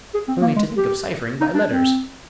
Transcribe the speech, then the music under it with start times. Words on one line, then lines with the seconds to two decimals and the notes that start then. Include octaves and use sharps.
Only to think of cyphering by letters!
0.14 G#4
0.28 C4
0.41 A#3
0.56 G#3
0.77 G4
1.41 D#4
1.54 D4
1.68 C4